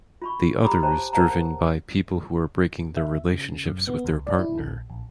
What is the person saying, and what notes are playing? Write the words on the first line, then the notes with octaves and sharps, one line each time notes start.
The others driven by people who are breaking their relationships with their partner.
F4 B5 C#6
G4 A#5 B5 D6 D#6
G4 C5 C#5 G5 A5 A#5
A#4 C5 C#5 F#5 A5 A#5
E5
C#3
F#2
B3
C#2
D5
E4
A#1
A#1